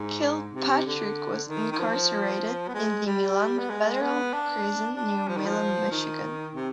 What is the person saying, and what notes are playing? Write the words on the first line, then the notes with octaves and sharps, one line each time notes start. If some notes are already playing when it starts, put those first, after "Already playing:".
Kilpatrick was incarcerated in the Milan Federal Prison near Milan, Michigan.
Already playing: G#2
C3
D3
D#3
D#3
F3
B3
G#3
G3
B3
G#3
B3
D4
D4
F3
D#3
F3
D#3
C3